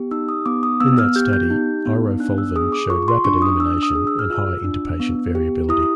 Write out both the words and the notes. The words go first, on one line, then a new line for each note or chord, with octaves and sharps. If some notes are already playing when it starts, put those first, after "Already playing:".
In that study, irofulven showed rapid elimination and high interpatient variability.
Already playing: B3 G4
D#4 E6
D#6
B3 D6
D#6
B3 E6
F6
G4 G6
G6
D#4
B3
D4 F#6
E6
G#4 D#6
D6
F4 C#6
C6
D4 C#6
D#6
D4 E6
D#6
G#4
E6
F6
F4 E6
D4
B3
G4
E4 D#6